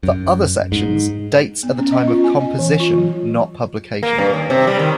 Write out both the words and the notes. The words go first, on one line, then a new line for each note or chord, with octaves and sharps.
For other sections, dates are the time of composition, not publication.
F#2
G#2
B3
C#4
D#5
F4
G#5
D#5
E3
F4
F#3
A#3
G2
D#2
C3
G3
D#3